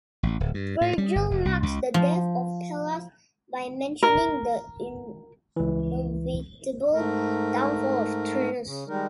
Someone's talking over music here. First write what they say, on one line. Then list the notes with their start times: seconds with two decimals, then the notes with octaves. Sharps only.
Virgil marks the death of Pallas by mentioning the inevitable downfall of Turnus.
0.23 A1
0.40 D1
0.54 G2
0.81 A2
0.98 G3
1.15 G1
1.31 F1
1.45 C2
1.63 C#2
1.94 F3
4.03 A#4
5.56 C#2 E3
6.94 G#2 A3 A#4
8.65 C#3
8.88 D#3 G3 G#3 D#4 A#4